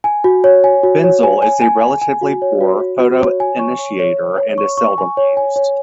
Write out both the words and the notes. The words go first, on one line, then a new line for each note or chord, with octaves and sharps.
Benzil is a relatively poor photoinitiator, and is seldom used.
G#5
F#4
C#5
G#5
F#4
C#5
G#5
G#5
G#5
G#5
G#5
F#4
C#5
F#4
F#4
F#4
C#5
G#5
C#6
C#5
C#5
C#5
C#5
C#6
C#6
G#5
C#5
G#5
C#5